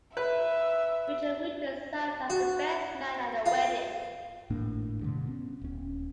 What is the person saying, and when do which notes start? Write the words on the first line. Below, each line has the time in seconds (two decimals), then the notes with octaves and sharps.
Richard Winters served as the best man at the wedding.
0.17 B4 E5
2.30 F#4
3.46 F4
4.50 G#1 A2 A#3 D4
5.01 G2 B2 D3
5.27 B3 C#4
5.62 D#1 C#4